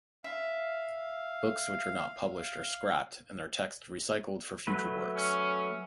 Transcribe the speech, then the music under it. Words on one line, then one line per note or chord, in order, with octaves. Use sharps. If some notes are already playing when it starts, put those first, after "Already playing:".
Books which are not published are scrapped, and their text recycled for future works.
E5 F5
F#3 A3 B4
C#4